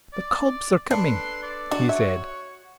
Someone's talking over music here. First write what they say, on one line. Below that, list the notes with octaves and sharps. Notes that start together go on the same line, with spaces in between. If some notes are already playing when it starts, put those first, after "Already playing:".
'The cobs are coming!' he said.
D5
D4 A4 B4 C6
D5
D4 F#4
C#5 E5